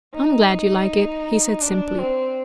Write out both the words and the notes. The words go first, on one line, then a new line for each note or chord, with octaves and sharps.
"I am glad you like it," he said simply.
D#4
D4
C4